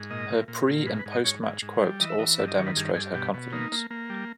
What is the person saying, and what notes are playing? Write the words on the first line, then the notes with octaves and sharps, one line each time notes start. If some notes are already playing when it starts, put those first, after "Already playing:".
Her pre- and post-match quotes also demonstrate her confidence.
Already playing: G#2
A#2 D#5
A#2
A#2
A#2
G#2 B4
B4
G#2
D#5
G#2 C#5
G#2
G#2
G3
E3 D#5
E5
E3 D#5
G2 E5
D#5
D#3 C#5
B4
G2 G#4
G2 G#4
B2 G4
B2
A#3 D#4
A#3
A#3
G3